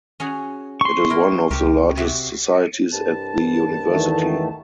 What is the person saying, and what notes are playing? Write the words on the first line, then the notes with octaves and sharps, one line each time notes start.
It is one of the largest societies at the university.
C#4 F#4 G#4
C6 C#6
E4 A#4 G5
C#2 G4 A#4
C3 F#4 E5
C2 G2 A5
E2 D#3 A3